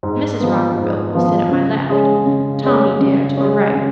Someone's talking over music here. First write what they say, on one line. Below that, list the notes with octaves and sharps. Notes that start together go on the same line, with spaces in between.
Mrs. Rockerbilt will sit at my left--Tommy Dare to the right.
G#2
F3 B3
G#2
F3 B3
C#3
G#3 C#4
C#3
G#3 C#4
C#3
G#3 C#4
C#3